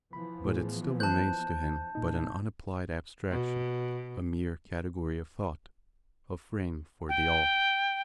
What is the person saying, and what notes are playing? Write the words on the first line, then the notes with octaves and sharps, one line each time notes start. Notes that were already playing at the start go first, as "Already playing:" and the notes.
But it still remains to him but an unapplied abstraction, a mere category of thought, a frame for the All.
E3 F3 B3 B5
A2 G#4
C5 A5 F#6 G6
A#2 D#4
B2
G5